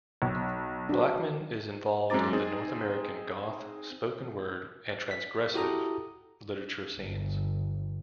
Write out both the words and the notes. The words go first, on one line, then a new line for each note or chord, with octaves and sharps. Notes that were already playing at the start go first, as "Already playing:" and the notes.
Blackman is involved in the North American goth, spoken word and transgressive literature scenes.
B1
D4 F#4
F#2 G#3 C4 A#5 D6 A6
C4 D#4 G#4
B6
E4 F#4 G4 A4 A#5 D#6
G1